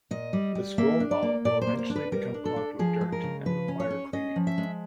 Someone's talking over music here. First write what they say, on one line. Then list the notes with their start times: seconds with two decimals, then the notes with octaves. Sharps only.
The scroll ball will eventually become clogged with dirt and require cleaning.
0.11 A#2 D#5
0.33 G3
0.55 G3
0.78 A#3 E5
1.00 D4
1.11 D5
1.22 A#3
1.45 A#2 D5
1.62 C5
1.67 A#3
1.79 C5
1.90 D4
1.96 B4
2.12 G3 A#4
2.34 D4
2.45 A4
2.56 D4
2.79 F3 G#4
3.01 G#3
3.12 A#4
3.23 C#3
3.46 F3 B4
3.68 C#4
3.80 C#5
3.90 C#4
4.13 C#4 D#5
4.36 F3
4.47 E5
4.58 G#3